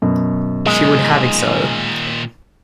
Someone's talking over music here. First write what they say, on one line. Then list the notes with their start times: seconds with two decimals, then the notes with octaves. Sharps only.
She would have it so.
0.02 F#2 B2
0.66 A#2 D#3 G#3